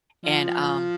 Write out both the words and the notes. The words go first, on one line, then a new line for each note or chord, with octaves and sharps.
and, um,
F3